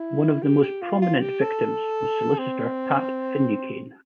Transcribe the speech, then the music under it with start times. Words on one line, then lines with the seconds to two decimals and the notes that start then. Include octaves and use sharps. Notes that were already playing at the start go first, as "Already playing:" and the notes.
One of the most prominent victims was solicitor Pat Finucane.
Already playing: E4
0.42 G4
0.63 G4
0.82 F4
1.02 F4
1.20 G4
1.41 A4
2.38 C4